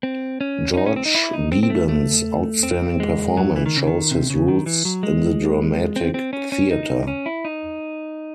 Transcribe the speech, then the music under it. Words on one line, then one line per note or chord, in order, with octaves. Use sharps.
George Beban's outstanding performance shows his roots in the dramatic theater.
C4
C#4
C#4
D#4
C#4
C4
D#4
E4
D#4
C4
C4
A3
A3
C4
G#3
F#3
E3
D#3
C#3
D#3
C3
C#3
D#3
E3
F#3
G#3
C4
C4
C#4
C#4
D#4
C#4
E4
D#4